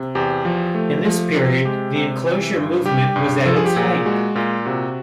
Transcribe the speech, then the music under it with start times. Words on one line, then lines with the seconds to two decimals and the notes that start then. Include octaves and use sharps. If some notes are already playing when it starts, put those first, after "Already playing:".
In this period, the enclosure movement was at its height.
Already playing: C3
0.15 E2 G4
0.45 F3
0.74 A3
1.05 F3
1.35 C3
1.65 G#3 G4
1.95 C3
2.25 E3
2.55 G2
2.86 G3 G4
3.16 G2
3.45 F3 A4
3.56 G#4
3.66 G4
3.76 A#2 G#4
4.06 G#3 F#4
4.35 A#2 F4
4.66 C3 F#4